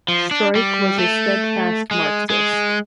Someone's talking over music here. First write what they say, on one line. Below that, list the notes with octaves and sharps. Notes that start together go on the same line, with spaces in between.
Struik was a steadfast Marxist.
F3
D4
G3
A3
G#3
G#3